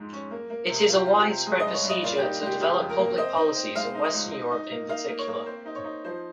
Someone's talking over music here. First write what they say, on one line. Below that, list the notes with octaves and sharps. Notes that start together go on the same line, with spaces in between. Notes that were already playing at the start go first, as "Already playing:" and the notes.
It is a widespread procedure to develop public policies in Western Europe in particular.
Already playing: F2 G#2 G#3
C#4
A#3
A#3
C3
C3 F4
G4
C4 F4
G4
C3
G#3 G#4
D#5
G2
C#5
G2
D#5
A#2 F4
D#4 G4
G#3 G4
C#3 G4
F2
A#4
A#3
C4 D#5
D#4
C4
G#3 F5
D#4
D#5
C#2
D#4
D#4
A#3
D#4 F5
A#3
C#5
A#3
C4 C5
D#4
C#5
D#4
F3 C5